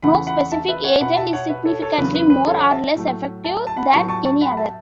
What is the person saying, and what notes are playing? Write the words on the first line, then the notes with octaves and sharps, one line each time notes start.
No specific agent is significantly more or less effective than any other.
E2 C#3 E3 A3 F#5 B5
F#5 B5
E5 A5
B4 E5
C#5 F#5
B2 B3 F#5 B5
E5 A5
C#5 F#5
B4 E5
A4 C#5
A4 C#5
E2 C#3 F#3 B3 B4
B4
B4
A4 C#5
C#5 F#5
E5 A5
A2 F#3 A3
E5 A5
A5
F#5 B5
A2 F#3 B3 A5 C#6
A5 C#6
A5 C#6
F#5 B5
E5 A5